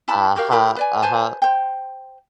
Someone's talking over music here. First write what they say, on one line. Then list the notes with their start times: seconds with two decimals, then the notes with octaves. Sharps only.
Uh-huh, uh-huh,
0.08 E4 A5 B5
0.36 F#4 G4 A#4 F5
0.51 E4 G4 A#4 B5
0.76 B4 D5 G#5
1.02 B4 C5 G#5 A5
1.42 C5 G5